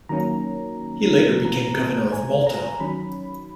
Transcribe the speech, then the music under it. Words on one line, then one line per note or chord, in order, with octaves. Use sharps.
He later became Governor of Malta.
D#3 F#3 A#3 C#4 A#5
E3 B3 A#5
G#5
A#5
D#3 F#3 C#4 B5